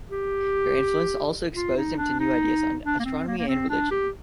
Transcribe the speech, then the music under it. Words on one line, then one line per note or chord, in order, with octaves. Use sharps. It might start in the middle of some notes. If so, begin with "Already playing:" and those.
Their influence also exposed him to new ideas on astronomy and religion.
G4
F4
D#4
D4
D#4
D4
A#3
C4
A#3
A#3
C4
D4
G4